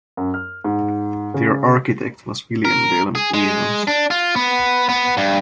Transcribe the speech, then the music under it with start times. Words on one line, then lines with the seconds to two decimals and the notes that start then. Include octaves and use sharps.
Their architect was William Delme-Evans.
0.17 F#2
0.34 F6
0.64 G#2
1.34 C#3
2.65 A#4
3.15 G#4
3.34 G#3
3.88 D4
4.11 F4
4.36 B3
4.89 B3
5.17 G2